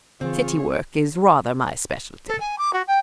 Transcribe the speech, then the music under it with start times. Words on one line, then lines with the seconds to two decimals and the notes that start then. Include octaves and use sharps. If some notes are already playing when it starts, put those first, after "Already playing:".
"City work is rather my specialty."
0.21 C#3 E3 C4 F4 G#4 C#5
2.28 A4
2.40 G#5
2.58 D6
2.73 F#4
2.87 G5